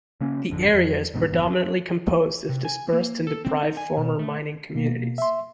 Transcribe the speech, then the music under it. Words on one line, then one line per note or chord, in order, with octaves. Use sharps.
The area is predominantly composed of dispersed and deprived former mining communities.
C#3 A#3 C#4
G#1 F2 D3
F2
E1 G#2 B2 D#3
G1 E2
C3
G#5
A#3
A4
C4
D#4
G#5
B2
A3
B2 A#3
E5 C6